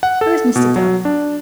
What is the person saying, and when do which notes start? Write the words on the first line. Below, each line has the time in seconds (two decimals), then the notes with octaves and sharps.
"Who is Mr. Dove?"
0.03 F#5
0.21 A4
0.56 B2
0.76 F#3
1.05 D4